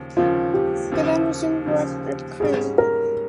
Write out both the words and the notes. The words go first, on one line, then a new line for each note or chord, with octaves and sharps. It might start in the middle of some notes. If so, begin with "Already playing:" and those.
He then resumed work at Crewe.
Already playing: D#2 C#3 F3
D#2 C#3 F3 F4
G4
D#2 C#3 F3
D#2 C#3 F3
G#2 G3 C#4 G#4
A#4